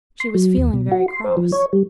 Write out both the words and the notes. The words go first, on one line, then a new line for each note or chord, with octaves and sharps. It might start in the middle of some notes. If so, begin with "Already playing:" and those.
She was feeling very cross.
C6
F#3
D#2
B2
F#4
C6
C5
F3
C#5
G3